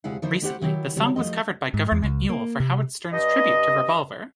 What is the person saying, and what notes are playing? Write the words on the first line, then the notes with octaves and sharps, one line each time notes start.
Recently, the song was covered by Gov't Mule for Howard Stern's tribute to Revolver.
D2 C3 G#3 E4 F5 F#5
D3 F3 A#3 D#4 E4 C5
A3 E4 G4 C5 C#5 F#5
D#3 F#3 E4 G4
C#3 F#3 G3 C4
F3 A3 D#5
G#2
E2
C#2
A#3
C3
G2 D#5